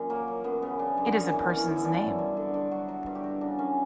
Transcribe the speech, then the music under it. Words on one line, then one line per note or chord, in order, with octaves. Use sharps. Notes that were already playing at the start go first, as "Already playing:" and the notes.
It is a person's name.
Already playing: F#2 A#2 C#4
F#3 A#3
F#3
F#2 B3
C#3 B3
C#3 D4
F#2
B3
F#2 C#4
E3
E3 C#4
F#2
E4
G2 D4
F#3
G2
D3
D3 D4
F#3 F#4
F#3
G2
G4
F#3 F#4
C#3 D4
F#2 C#4